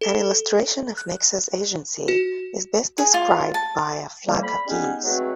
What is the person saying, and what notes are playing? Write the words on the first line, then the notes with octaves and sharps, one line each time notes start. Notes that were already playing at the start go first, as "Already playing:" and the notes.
An illustration of nexus agency is best described by a flock of geese.
A4
F#6
F#4
G#4
F4
A5
F2 G3 A#3
B5
G3 G#3 B3 C#4 D#4
F#3 G#3 A3 C4 F#4 B4